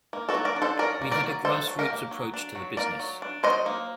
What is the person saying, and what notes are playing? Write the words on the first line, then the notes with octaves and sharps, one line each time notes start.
We had a grassroots approach to the business.
A#3
F#4 A4
F#3
A#4 D5
D4
A4 C5
F#3 A#4 D5
A#3
A#4 D5
F#3
D4 A4 C5
F#3
G4 A#4
A#3
F#3
D4
F#3
A#3 A#4 D5
F#3
D4
F#3 C5 D#5
A#3